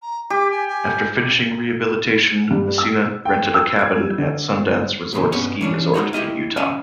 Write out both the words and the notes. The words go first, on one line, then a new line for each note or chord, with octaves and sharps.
After finishing rehabilitation, Messina rented a cabin at Sundance Resort Ski Resort in Utah.
A#5
G4 D6
G#5
G#5
G2
E6
G5
E6
G#6
G3
D3
D#2 A2 C#3 E3
B1 G2 B3 C#4 C#5
E3 C#4 D4
G#3 D#4 F#4 C#5
E4 G4 D#5 F5
C#4 C#5 F5 F#5 G#5 A5